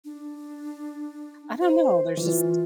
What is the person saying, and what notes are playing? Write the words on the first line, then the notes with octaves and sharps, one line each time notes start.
I don't know, there's just
D4
C5
E3 F4